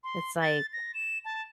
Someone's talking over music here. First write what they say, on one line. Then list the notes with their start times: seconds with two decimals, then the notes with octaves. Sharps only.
It's, like,
0.04 C6
0.41 A6
0.73 A#6
0.94 E7
1.25 A5